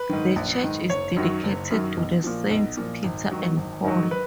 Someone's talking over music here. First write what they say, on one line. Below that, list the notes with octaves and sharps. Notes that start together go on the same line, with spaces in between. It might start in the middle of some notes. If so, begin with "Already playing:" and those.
The church is dedicated to the Saints Peter and Paul.
Already playing: B4
G#2 D#3
A#1
G#2 D#3
F#1 C#5
F#2 D#3 F#3
F#1
F#2 D#3 F#3
B1
A#2 F3
B1
A#2 F3
G#1
G#2 D#3 F#3
G#1
G#2 D#3 F#3
B4